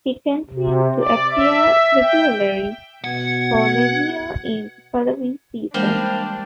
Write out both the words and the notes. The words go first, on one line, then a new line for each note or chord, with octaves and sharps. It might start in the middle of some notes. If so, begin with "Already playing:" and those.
He continued to appear regularly for Lazio in the following seasons.
C3
D5
E5
G5
B2 F#5 G#6
E3 G3 G#3 A#3 D4 A#4 C5 F5